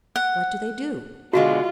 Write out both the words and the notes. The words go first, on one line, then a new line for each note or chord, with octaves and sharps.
"What do they do?"
F#5
B2 D3 G#3 F4 F#4